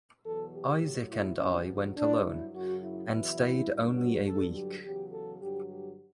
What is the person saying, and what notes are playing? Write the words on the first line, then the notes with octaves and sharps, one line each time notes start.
Isaac and I went alone, and stayed only a week.
E2 B2 F#3 A4
G4
A2 F#3
E4
E2 C#3 F#3 C#4
G2 F#3 D4
E4
F#2 C#3 F#3 F#4
E4
E2 B2 F#3 E4
G2 F#3
F#4
G2 D3 F#3 A4
G4
E2 C#3 F#3 G4
A4
G2 D3 F#3 G4
G4